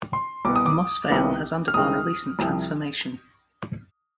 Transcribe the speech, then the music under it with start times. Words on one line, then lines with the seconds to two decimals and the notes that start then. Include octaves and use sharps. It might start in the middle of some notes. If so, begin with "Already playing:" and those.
Moss Vale has undergone a recent transformation.
0.13 C6
0.45 C2 B2 B3 D6
0.56 D#6
0.66 D6
1.10 C2 C3 D#3 B3
1.68 F6
1.74 C2 C3 D#3 G#3 C4 D#6
2.39 C2 C3 F3